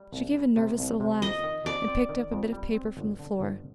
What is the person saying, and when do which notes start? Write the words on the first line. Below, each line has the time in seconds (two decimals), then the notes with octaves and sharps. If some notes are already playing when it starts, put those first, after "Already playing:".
She gave a nervous little laugh and picked up a bit of paper from the floor.
Already playing: G3
0.13 C2
0.34 G3
0.57 C3
0.79 C2
1.00 C3
1.22 F2 D#5
1.43 D#3
1.65 F2 D5
1.88 C4
2.09 D#3
2.32 F2
2.53 G3
2.74 C4
2.97 G1
3.19 D3
3.40 G1